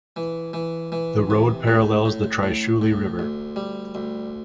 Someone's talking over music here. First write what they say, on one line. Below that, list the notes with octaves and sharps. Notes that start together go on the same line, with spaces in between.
The road parallels the Trishuli River.
E3
E3
E3
C3
A2
A2
A2
A2
D2
G3
D2